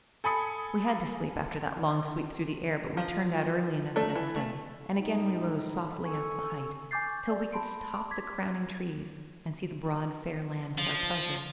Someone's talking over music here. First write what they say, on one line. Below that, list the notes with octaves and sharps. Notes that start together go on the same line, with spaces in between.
We had to sleep after that long sweep through the air, but we turned out early enough next day, and again we rose softly up the height till we could top the crowning trees and see the broad fair land at our pleasure.
A4 G#5 B5 D#6 C#7
F3
A3 A4 D5
E3
A3
A2 D#4 B5
A4 G#5 C#6
G#5 C#6 D6 G6 A6 C7
D5
A5 B5 C6 D7
D6 G#6 B6
F3